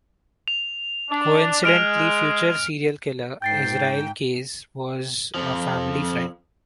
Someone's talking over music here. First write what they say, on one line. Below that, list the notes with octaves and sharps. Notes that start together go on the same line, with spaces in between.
Coincidently, future serial killer Israel Keyes was a family friend.
F7
D4
G#3 F6 D7 F7
G#2 G5 G6 A6 C7
F2 F3